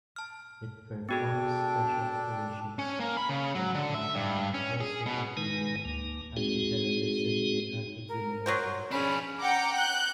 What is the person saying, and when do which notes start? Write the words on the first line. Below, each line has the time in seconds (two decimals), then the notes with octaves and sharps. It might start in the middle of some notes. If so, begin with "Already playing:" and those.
It performs special operations work on land also, including anti-terrorism and anti-criminal work.
0.16 A5 F6
1.09 B3 D4 F#4 G#4 A4 G5
2.79 C#4
3.00 A#3
3.17 B5
3.29 C#3
3.55 F#3
3.75 D3
3.95 E5
4.15 G2
4.54 C#4
4.81 G#4
5.06 B2
5.37 D#3 G#3 D#4 B4 G#5
5.85 D2 A#3
6.37 G#3 C4 D#4 F#4 G#4
8.09 A#4
8.46 F#3 F#4 C5
8.92 C#4 D4 G#4 B5
9.40 F#5 G5 A#5 D6
9.75 F#6 G6